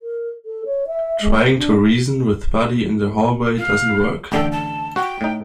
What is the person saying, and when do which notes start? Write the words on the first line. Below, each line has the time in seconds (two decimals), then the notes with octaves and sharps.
Trying to reason with Buddy in the hallway doesn't work.
0.02 A#4
0.45 A4
0.65 C#5
0.87 E5
1.21 G#3
1.38 C5
1.57 D4
3.58 F5
4.32 A1 D3 A4 G5
4.52 A5
4.96 F#4 G5
5.21 A2 D#4